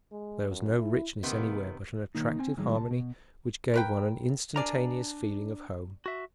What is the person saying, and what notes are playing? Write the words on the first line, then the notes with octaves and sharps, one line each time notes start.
There was no richness anywhere, but an attractive harmony which gave one an instantaneous feeling of home.
G#3
F#2
E4
C3 D#3 A#3 B3
B1 D#3 A#3 D#4
C4 G#5
A2 D#3 F#3 G#3
C2 A5
B2
A#4 B4 G5
D4 A#4 D5 G#5 A#5
F#4 E5